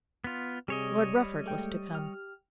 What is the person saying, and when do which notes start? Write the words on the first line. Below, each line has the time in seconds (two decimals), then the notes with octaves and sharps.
Lord Rufford was to come.
0.24 B3 F4
0.68 C3 G3 G#4 C#5 D#5
1.16 B5
1.44 G#3 A3 G5
1.94 G4 F6